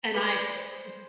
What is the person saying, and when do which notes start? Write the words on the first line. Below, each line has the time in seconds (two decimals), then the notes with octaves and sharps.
And I n
0.14 B4 D5
0.56 C5